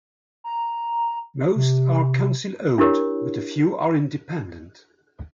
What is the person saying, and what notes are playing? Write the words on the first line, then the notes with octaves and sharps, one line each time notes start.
Most are council-owned but a few are independent.
A#5
C3
D4 E4 G4 A#4 C#5